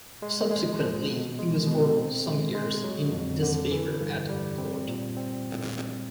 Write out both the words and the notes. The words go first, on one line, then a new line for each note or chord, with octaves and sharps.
Subsequently he was for some years in disfavour at court.
G#3
G#3
F3
B2
G#3
B2
C4
G#3
G#3
F#3
F2
D3
E3
G2
G3
C4
A#2
C4